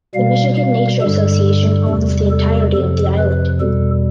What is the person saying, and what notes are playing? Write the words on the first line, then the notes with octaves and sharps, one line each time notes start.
The Michigan Nature Association owns the entirety of the island.
B2 G3 F5
F5
G2 D3 G3 A4
E2 C3 G3
A4
F2 C3 F3 A4
B4
E2 B2 G3 A4